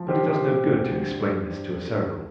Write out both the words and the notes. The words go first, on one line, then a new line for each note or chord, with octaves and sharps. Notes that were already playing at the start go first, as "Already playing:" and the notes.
But it does no good to explain this to a Cerebral.
Already playing: F3
G4 C5
C3 G4 C5
D2
G2
G2
G2 A4